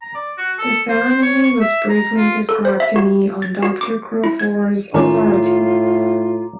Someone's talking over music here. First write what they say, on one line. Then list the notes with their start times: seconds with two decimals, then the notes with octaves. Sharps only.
The ceremony was briefly described to me on Dr. Crawford's authority.
0.02 A#5
0.15 D5
0.38 F#4
0.58 A4
0.89 C5
1.22 C#5
1.43 C#6
1.61 E5
1.89 A#5
2.17 F4
2.49 A4
2.65 C5
2.80 E5
2.96 F#4
3.42 A6
3.63 F#4
3.81 D6
4.24 E4
4.39 G#6
4.94 A2 D#3 C#4 F4 A#4 A#5 D6